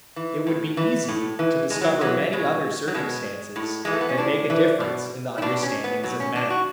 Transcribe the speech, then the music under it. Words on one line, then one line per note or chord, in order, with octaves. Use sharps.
It would be easy to discover many other circumstances that make a difference in the understandings of men.
E3
A2
E3
A2
E3
A2 G#3
F#3
E3 F#3
B2 G#3
F#3
B2 G#3
A2
E3 G#3
A3
B3
C#4
A2 D4
E3
B2
E4
B2 D4
C#4
B3
B2 F#3
C#4
D4
F#4